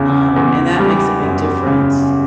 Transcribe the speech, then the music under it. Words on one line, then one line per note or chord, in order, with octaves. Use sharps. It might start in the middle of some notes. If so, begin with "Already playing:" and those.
um, and that makes a big difference,
Already playing: E2 C#3
E2
G3
F#2
C#3